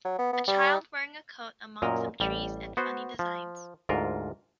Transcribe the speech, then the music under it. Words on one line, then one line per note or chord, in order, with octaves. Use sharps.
A child wearing a coat among some trees and funny designs.
F#3
B3
B3
G3
F#2 A#2 A#4 D#5 A#5
A1 G3
B3 F#4 C5
F3
D2 G#2 F4 A#4